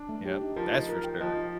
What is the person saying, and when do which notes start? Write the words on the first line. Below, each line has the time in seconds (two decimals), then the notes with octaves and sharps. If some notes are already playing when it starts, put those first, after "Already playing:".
Yep, that's for sure.
Already playing: D4
0.09 A3
0.25 G4
0.41 D#4
0.56 F3 A#4
0.73 D#4
0.89 A#4
1.04 G5
1.20 F3 D#5
1.37 D#4